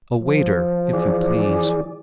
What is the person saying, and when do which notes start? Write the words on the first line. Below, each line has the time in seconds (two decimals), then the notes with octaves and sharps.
A waiter, if you please.
0.20 F3
0.93 E3 G#4 D5